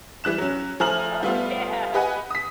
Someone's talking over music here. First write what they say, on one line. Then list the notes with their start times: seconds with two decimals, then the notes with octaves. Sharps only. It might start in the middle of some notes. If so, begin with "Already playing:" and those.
Oh yeah,
0.24 E3 G3 F#6 E7
0.38 F#3 C#4
0.80 F3 A3 G#5 A#5 F6 F#7
1.23 G3 A3 B3 F4
1.94 G4 B4 D#5 F#5 G#5
2.30 D#6 B6